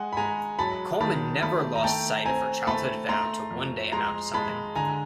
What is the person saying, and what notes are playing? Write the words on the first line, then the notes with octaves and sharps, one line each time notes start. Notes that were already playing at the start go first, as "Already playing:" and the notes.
Coleman never lost sight of her childhood vow to one day amount to something.
Already playing: G#3 F#5 G#5
B5
G#3 G#5 A#5
F#3 A5 B5
D#3 A5 B5
A3 A5 B5
A#5
A3 G5 A5
C4 G#5 A#5
A3 A5 B5
A3 A#5 C6
F2
G#3 A#5 C6
G#3 A5 B5
D3 G#5 A#5